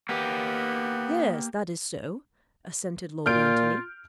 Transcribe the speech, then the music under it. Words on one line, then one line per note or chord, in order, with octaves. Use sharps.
"Yes, that is so," assented Lord Antony.
A#3 B3 G4
A#2 F4 F6 G6 D7